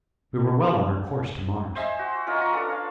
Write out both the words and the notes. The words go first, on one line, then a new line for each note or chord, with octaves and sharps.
We were well on our course to Mars.
C5 D#5 E5 G#5
F#4
C#4 F4 A#4 D#5
A#5 C#6
D4 F4 A4 B4
C#5 F5